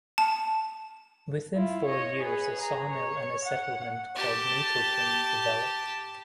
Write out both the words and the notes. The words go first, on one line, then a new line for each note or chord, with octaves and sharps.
Within four years a sawmill and a settlement called Mapleton developed.
A5
E4 F4
C#5 D#5
G#4 B4
G#4 A#5
C#5
F#5
G4 A5